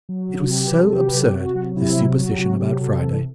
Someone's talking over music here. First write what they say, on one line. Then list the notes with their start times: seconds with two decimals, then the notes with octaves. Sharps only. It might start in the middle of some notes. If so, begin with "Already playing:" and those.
It was so absurd, this superstition about Friday.
0.09 F#3
0.29 C3
0.43 F#4
0.50 F#3 G4
0.67 C3 B4
0.79 A4
0.92 F#3 G4
1.08 B4
1.14 C3 A4
1.25 G4
1.34 C3 F#4
1.55 F#3
1.76 C3 E4
1.97 F#3
2.18 F#3 F#4
2.34 G4
2.38 C3 F#4
2.60 F#3 G4
2.81 C3 A4
3.01 E3 A4